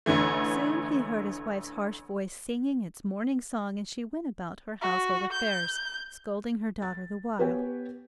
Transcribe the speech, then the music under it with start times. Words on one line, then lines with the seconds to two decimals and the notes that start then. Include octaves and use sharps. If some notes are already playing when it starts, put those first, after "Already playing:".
Soon he heard his wife's harsh voice singing its morning song as she went about her household affairs, scolding her daughter the while.
0.06 A1 D3 E3 A3
4.81 F#4
5.33 G6
6.82 A6
7.39 B3 G4 B4 C#5 G5 G#5